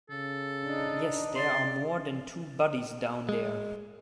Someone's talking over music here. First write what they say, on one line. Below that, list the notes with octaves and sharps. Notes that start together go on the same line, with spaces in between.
Yes, there are more than two bodies down there.
C#3 A4
D4 D#4
C#3 D5 C6
G#3